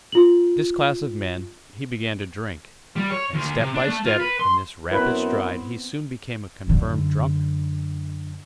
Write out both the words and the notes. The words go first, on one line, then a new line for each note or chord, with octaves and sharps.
With this class of men he began to drink, and step by step in this rapid stride he soon became a confirmed drunkard.
F4 F#7
G3
C#5
D2
C3
D4
A3
F4
B4
C6
F#2 B3 C4 E4 B4 B5
F#2 D3